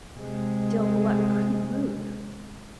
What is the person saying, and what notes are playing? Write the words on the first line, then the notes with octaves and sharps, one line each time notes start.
Still Gluck couldn't move.
C3 G#3